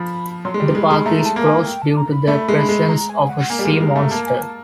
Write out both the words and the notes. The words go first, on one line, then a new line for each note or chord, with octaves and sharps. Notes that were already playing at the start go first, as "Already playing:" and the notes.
The park is closed due to the presence of a sea monster.
Already playing: F3 B5
F#3 C6
G#3
G3
C6
G#3 B5
G#3
A3 A#5
A#5
A5
A#3
G#5
G5
A5
A#5
B5
A3 B5
G#3
B5
G#3
A#5
G#5
F#5
A#3 G#5
G3
G#3
G#3
A3 A#5
A#3 A5
G#5
A5